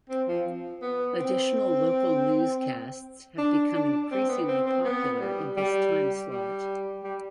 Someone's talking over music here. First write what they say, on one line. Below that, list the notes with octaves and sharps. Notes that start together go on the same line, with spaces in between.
Additional local newscasts have become increasingly popular in this time slot.
C4
F3
B3
C4
D4
D4
C4
B3
C4
C4
B3
G3
G3
G3
G3